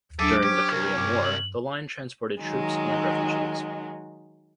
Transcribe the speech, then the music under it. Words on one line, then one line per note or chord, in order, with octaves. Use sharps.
During the Korean War, the line transported troops and refugees.
F#3 D4 E4 G#4 A4 D6
C#4 G4 C5
C2 A#4
G2 D6
F#7
D#3 F#3 G#3